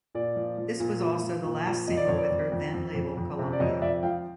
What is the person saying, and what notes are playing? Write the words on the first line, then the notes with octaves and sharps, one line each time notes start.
This was also the last single with her then label Columbia.
A#2 D5
F3
F3
A#2
F3
F3
A#2
F3
F2 D#5
D5
F2 C#5
D5
F2
F2
F2
F2
F2
C3
D5
F2 C#5 D#5
F2 D5 E5
F3 F5 G5